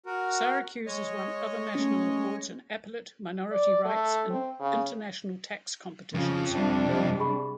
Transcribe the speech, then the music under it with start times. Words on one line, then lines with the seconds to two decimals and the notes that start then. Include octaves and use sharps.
Syracuse has won other national awards in appellate, minority rights, and international tax competitions.
0.06 F#4 A#4
0.87 G#3 C#5 D#5
1.75 A3 C#4
3.51 D5
3.85 A3
4.30 C4
4.60 C#3
6.14 F2 C#3 F3
6.53 C3 G3 D4
6.89 C5 D#5
7.19 G#4 B5 C#6